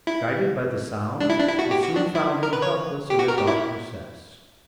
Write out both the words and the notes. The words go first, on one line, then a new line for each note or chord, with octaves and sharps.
Guided by the sound, we soon found him helpless in a dark recess.
E4
D4
E4
D4
E4
F#4
G4
F#4
D4
E4
A#4
B4
C#5
G4
F#4
A#4
G4
E4